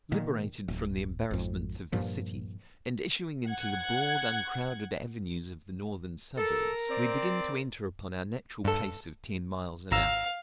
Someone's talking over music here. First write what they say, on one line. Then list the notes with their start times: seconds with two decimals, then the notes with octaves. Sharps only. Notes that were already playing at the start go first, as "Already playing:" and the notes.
Liberated from the embarrassments of the city, and issuing into the broad uncrowded avenues of the northern suburbs, we begin to enter upon our natural pace of ten miles an hour.
0.12 A#2 D#3
0.68 D1
1.31 G#1 F2
1.92 G2 A#2 F3
3.49 F#5 G#6
6.38 A4 A#4
6.90 C4 D5
8.64 G2 A4
9.91 G#1 F5 A#5 E6